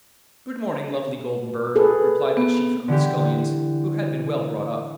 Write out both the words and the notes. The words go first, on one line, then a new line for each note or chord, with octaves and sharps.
'Good-morning, lovely golden bird,' replied the chief of the scullions, who had been well brought up.
G#4 A4 B4
B3
D3 E3 E4 G4